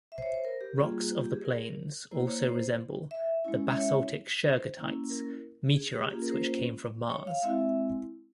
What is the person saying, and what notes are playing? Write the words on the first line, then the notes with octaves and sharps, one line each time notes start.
Rocks of the plains also resemble the basaltic shergottites, meteorites which came from Mars.
E5
C5
C#5
C5
A#4
G4
G3 A#3 F4 G#4
G4
G#4
A#4
A#3 E4 C5
C#5
C5
E5
G#3 C#4 E4
E5
C#5
C5
A#3 C#4 E4
A#4
G#4
G4
A#3 C#4 F4 G#4
A#4
C5
C#5
F5
G#3 C4 E4 E5